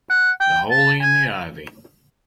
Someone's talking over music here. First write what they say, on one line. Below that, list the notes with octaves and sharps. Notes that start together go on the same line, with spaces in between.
The Holly and the Ivy.
F#5
G5
A5
G#5